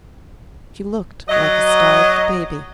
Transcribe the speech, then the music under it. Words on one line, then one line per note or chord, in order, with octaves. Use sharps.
She looked like a starved baby.
F#3 D#5